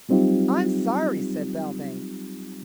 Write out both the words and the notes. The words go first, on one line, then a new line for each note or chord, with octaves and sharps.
"I'm sorry," said Belvane.
F#3 G3 C4 D#4 F4 G4